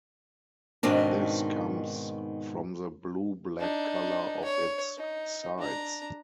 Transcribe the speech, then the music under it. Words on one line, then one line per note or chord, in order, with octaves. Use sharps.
This comes from the blue-black colour of its sides.
G#2 B2 D#3 C4 D4
D4 D#4
C#5
D#4
D4 A#5